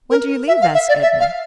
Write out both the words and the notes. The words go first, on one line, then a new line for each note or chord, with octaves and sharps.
"When do you leave?" asked Edna.
A#4
E5
F5
E5
D5
E5
F5